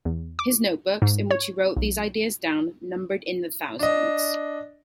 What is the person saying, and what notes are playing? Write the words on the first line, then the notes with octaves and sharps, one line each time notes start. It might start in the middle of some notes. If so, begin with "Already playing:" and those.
His notebooks, in which he wrote these ideas down, numbered in the thousands.
E2
D6
G#2
C#5
B1
D4 D#5